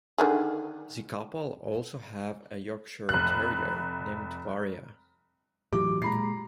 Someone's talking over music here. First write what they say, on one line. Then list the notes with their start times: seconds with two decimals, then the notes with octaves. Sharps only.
The couple also have a Yorkshire Terrier named Varia.
0.18 D3 D#3 G#4
3.09 F1 F#6
5.73 A2 E3 F#3 G4 D6
6.02 A#2 G#3 A#5 B5 C7